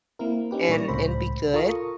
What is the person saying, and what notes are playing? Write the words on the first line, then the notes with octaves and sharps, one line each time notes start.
and and be good.
A#3 C4 E4 A#4
C#4 D#4 G4 B4
A#2 G3 A#4 D5 C#6 A#6
C#2 A2 C3 C5 B5
F4 A4 A#4 A#5 C#6 D#6